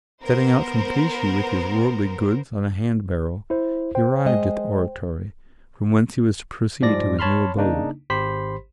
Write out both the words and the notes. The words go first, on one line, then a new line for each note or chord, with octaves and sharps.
Setting out from Clichy with his worldly goods on a hand-barrow, he arrived at the Oratory, from whence he was to proceed to his new abode.
B3 A#4 C5
E4 C5
C5 G5
G#3 D#5
G#2 F3 G3 D5 A#6
C#5 A5 B5 C6 F6
C#3 A#3 D4 D#4
G#1 G4 C5 B5 C6 B6